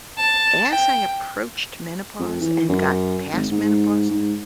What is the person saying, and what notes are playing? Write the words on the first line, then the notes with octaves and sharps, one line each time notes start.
as I approached menopause and got past menopause,
A5
G5
F2
E3
F#2
G#1
G#2
G#2